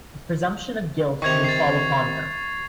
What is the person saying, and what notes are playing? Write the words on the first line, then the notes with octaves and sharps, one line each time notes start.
The presumption of guilt would fall upon her.
C3 D#3 C#6 G#6 F7
A6 C7